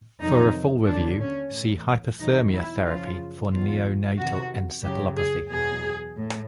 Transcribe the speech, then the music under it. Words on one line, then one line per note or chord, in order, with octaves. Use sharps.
For a full review see Hypothermia therapy for neonatal encephalopathy.
F2 C3 D#3 F#3 D#4
D#2 D3 F#3 D4
C#4
A2 E3
E2 B2 F#3 D#4
E4
F#2 C#3 F3 F4
E2 B2 F#3 F4
F2 C3 D#3 F#4
F#2 C#3 F#3 G4
G#4
E2 B2 F#3 G#4
A2